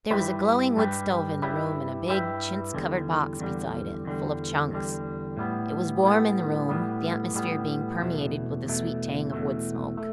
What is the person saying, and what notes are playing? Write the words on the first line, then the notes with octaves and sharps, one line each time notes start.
There was a glowing wood stove in the room and a big, chintz-covered box beside it, full of "chunks." It was warm in the room, the atmosphere being permeated with the sweet tang of wood smoke.
G2 G3 E4 G4 B4
G2 G3 E4 G4 B4
G2 G3 E4 G4 B4
G2 G3 E4 G4 B4
E2 D3 G3
E2 D3 G3
E2 D3 G3
E2 D3 G3
A2 G3 B3
A2 G3 B3
A2 G3 B3
A2 G3 B3
E2 B2 A3
E2 B2 A3
E2 B2 A3
A3